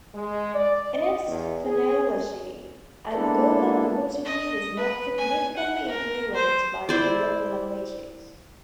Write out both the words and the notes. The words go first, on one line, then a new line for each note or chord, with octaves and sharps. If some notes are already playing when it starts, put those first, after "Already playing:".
In its phonology, Angolan Portuguese is not significantly influenced by the local languages.
G#3
D5
D#5
E2
G#4
G#3 A#3 B3 D4 E4 A4
D#5
B4
G#5
F#5
A#4
C5
E4 C5 D5